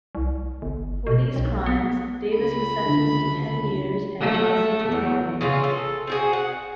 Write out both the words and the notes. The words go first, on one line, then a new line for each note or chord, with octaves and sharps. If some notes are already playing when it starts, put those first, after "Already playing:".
For these crimes, Davis was sentenced to ten years and Johnson to twelve years.
C2
G1
B2
B1
B3
C#2 B5
D3
A3
E2
C#3 E3 F4
A4
C4 F#4 G#4
F#5